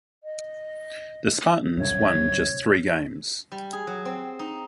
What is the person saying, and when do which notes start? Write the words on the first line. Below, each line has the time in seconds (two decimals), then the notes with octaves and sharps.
The Spartans won just three games.
0.24 D#5
1.77 D1 C2 F#2 A2 C3 C#5
3.52 G3
3.73 G#4
3.87 F#3
4.05 C4
4.39 D#4